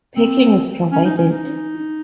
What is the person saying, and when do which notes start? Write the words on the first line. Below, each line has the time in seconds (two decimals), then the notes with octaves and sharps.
Parking is provided.
0.16 C4
0.92 C#4
1.05 D#4
1.17 C#4
1.31 D#4